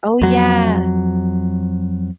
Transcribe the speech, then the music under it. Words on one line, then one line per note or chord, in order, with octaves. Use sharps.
Oh, yeah.
F2 F#3